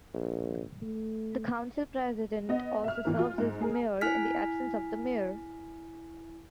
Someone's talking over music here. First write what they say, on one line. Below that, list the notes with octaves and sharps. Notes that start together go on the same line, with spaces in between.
The council president also serves as mayor, in the absence of the mayor.
A#1
A3
B3 D#5
E5 F6
A1 E3 A#3
F4
G#2
G#4 A#4
E4 G#5 F6 B6